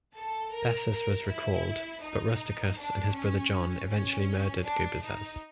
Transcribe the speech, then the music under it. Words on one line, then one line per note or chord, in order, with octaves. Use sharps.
Bessas was recalled, but Rusticus and his brother John eventually murdered Gubazes.
A4
A#4
A#4
E4
D#4
D4
C#4
C#4
D4
D#4